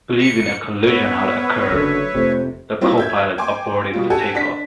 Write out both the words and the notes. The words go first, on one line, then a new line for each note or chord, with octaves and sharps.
Believing a collision had occurred, the copilot aborted the takeoff.
C#7
B3 B4 C#5 E5
F#1 F#2 D3
F1 F2 C3 A3 C5
F#3 G3 A#3 C4 E4 F4
E5 G6 G#6
G5 G#5 C6 D6
B2 G3 F4
G4 A4 F#5 G#5
D4 B6